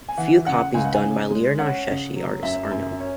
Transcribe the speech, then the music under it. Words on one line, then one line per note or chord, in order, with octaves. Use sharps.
Few copies done by Leonardeschi artists are known.
G#5
E3 F#5
C#3 F#5
C#2 G#5
F#5
G#5
C#3
G#3
C#4 F#5
C#3
F#3
F#2 E5
F#2
C#4